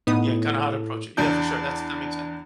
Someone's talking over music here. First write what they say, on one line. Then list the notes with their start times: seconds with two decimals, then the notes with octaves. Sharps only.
Yeah, kinda how to approach it. Yeah, for sure, that's that makes sense.
0.07 A2 B3 D#4 D#6
1.17 E2 D4 G6